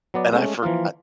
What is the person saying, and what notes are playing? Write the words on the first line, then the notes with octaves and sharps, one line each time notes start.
And I forg I
F#3 B3 D5
G#3 A3 C#4
E3 F3 A#3 F4